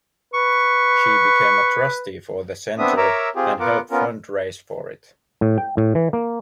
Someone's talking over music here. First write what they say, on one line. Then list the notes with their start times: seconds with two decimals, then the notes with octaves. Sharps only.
She became a trustee for the centre and helped fundraise for it.
0.34 B4 C#6
2.79 B3 C4 D4 E5 D#6
2.97 A#4 C#5 E5 A#5 D6 E6
3.36 C4 F4 G4 G#4
3.60 B3 F4 A#4 F#5 D6
3.91 B3 C#4 F4 A#4
5.41 A2
5.58 G5
5.77 A2
5.95 E3
6.13 A#3